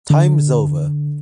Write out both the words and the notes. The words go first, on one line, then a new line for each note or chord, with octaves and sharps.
Time's over!
D3